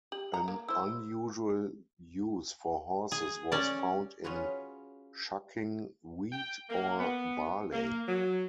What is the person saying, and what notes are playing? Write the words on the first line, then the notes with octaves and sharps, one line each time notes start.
An unusual use for horses was found in shucking wheat or barley.
G4 F#7
A#5
A#3
E4 C5 E6
G#4
C#4 D5
C#4 F4 F#4 G#4 B4
G5
A#3
B3
A#3
F#3